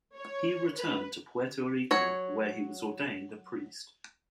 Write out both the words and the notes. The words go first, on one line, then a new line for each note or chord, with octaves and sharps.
He returned to Puerto Rico where he was ordained a priest.
C#5
B4
F#3 C#5